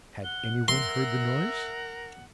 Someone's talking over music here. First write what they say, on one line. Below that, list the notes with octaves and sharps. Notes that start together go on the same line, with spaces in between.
Had any one heard the noise?
F#5 G7
A#4 E5 F#5 C6